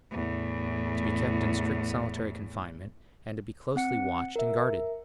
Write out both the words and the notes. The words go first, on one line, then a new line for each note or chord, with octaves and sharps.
To be kept in strict solitary confinement, and to be closely watched and guarded.
E2 A2
C4 F#5 C#7
A#4 E5